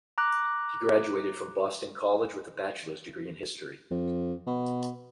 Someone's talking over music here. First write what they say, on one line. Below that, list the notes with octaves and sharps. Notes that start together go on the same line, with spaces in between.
He graduated from Boston College with a bachelor's degree in history.
A#5 D6 F#6
F2
B2